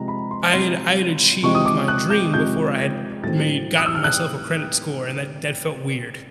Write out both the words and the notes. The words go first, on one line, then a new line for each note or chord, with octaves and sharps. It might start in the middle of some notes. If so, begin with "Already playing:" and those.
I had I had achieved my dream before I had made gotten myself a credit score and that that felt weird.
Already playing: C3 F3 G#3 A#5
B5
C6
C3 F3 G#3 C6
C3 F3 G#3 C#6
D#6
D6
F#6
G6
C3 F3 G#3 G6
G#6
A2 F#3 A3 C4 A6
D#6
E6
F6
F#6